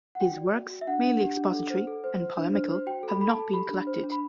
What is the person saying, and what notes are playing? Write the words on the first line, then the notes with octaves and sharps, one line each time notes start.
His works, mainly expository and polemical, have not been collected.
F#5
F#4 G5
D5
F#4
F#4
E5
D4 F#5
D4
G4
D4
A4
C5
A4
C5
C5
D4
C5
C5
F#4 G5
A4
B5
A4 B5
A5
A4
G4 B5
D4
C5
D4
B5